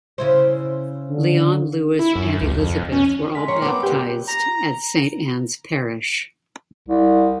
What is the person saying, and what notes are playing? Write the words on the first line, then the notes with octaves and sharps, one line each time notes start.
Leon, Louis, and Elizabeth were all baptized at Saint Ann's Parish.
C#3 E4 C5
D3
E4
F#2
C#2
F2
C#4
G#3 A#4 C6 B6
F3 C#5
B3 C4 D6
G2 A#2 G4 B4
A#5
C2